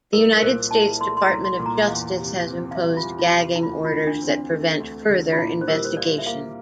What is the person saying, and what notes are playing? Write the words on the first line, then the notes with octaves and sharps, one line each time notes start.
The United States Department of Justice has imposed gagging orders that prevent further investigation.
C2 A#4
A#4
A#2 C5
E4 A5
A3 C6
C6
A#5
C2
C6
A#2
A#5
E2 F5
C3
C4
F5
G3 E5
F4
E2
F4
C3
E4
D2 F4
F4
D3
D4
C4
D4
A3
D2
D3
F4
A#2 E4
C5
G3 A#4
C5
F4 D5
E5
A#3 F5